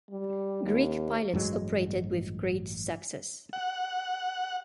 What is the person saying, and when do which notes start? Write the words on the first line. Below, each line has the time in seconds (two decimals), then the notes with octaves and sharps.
Greek pilots operated with great success.
0.10 G3
0.64 D#2
1.34 A1 G2 F#3 G#3
3.53 F#5